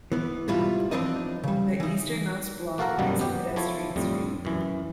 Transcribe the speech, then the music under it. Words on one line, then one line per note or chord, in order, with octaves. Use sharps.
The easternmost block is a pedestrian street.
E3 B3
G#2 B2 G3 E4 F4
E3 F3 C4 D4 D#4 D#5
C#3 G3
E3 D#4
A#3 F#4 A4 F5 F#5 A#5
F#2 B2 D#3 G3 A#3
B3 G4
F3 E4 A4 C#5
F2 A2 G3
F#2 E3